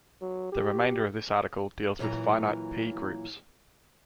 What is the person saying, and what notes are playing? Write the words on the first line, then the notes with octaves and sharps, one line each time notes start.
The remainder of this article deals with finite "p"-groups.
F#3
G4
F2 A#2 E3 F#3 A#5